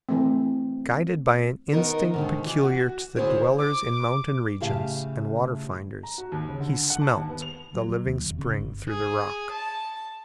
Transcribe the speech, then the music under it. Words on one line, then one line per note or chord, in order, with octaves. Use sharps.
Guided by an instinct peculiar to the dwellers in mountain regions and water finders, he "smelt" the living spring through the rock.
E3 A3 C4
D#3 B3 D#4 A#4
G#2 D3 D#3
E3 F4
F#4
D2 E4 G#4 C5 C#5
D6
A2 C#3 G4 F5 A5
A#5
F#4
D#2
C#3
D3
F#5
A5
D#2
B3
F7
F#3
F#3
D#2
F1
C#3
G1
G#4
A5